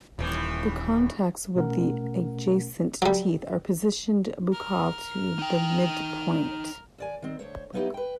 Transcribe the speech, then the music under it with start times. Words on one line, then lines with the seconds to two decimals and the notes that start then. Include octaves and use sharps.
The contacts with the adjacent teeth are positioned buccal to the midpoint.
0.19 D#1 A2 E3
1.55 B2 A3 C#4 A#4 F#5
3.02 F#3 G3
4.52 A#4 F6
5.39 D#4 G5
6.98 D#2 D5 G#5
7.22 D#3 C4
7.39 D2 C5 C#5
7.73 F#3 A#3 B3 D#4 E4 G4
7.94 B4 G5